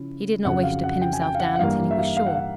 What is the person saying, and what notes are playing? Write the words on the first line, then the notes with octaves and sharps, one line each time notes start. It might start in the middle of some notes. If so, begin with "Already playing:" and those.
He did not wish to pin himself down until he was sure.
Already playing: C#3 F3 C#4 E4
F2 C#3 F#3 F#5
F5
F#5
G5
G#5
G5
F5
F#5
F#5
G2 E3 G3 A#3 F5
E5
F5
F5
F#5
F5